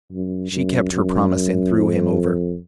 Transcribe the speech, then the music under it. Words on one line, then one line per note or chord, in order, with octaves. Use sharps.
She kept her promise and threw him over.
F#2
F#2
F#2
F2